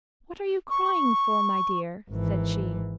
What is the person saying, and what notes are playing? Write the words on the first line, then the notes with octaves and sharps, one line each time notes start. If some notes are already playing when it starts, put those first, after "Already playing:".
'What are you crying for, my dear?' said she.
C#6
G#1 E3